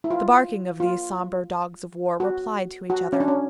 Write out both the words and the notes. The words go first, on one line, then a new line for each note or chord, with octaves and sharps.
The barking of these sombre dogs of war replied to each other.
E4
F4
F4
F#4
F#4
C#4
D4
C#4